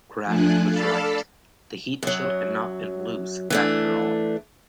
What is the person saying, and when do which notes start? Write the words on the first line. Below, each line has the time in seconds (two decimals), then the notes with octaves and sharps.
Kraft was right; the heat shield had not been loose after all.
0.25 F3 A3 D4 G#5 F#6
0.68 A4 D5 F5 A5 B5 E6
2.03 F#2 F#3
3.50 E3 A3 D4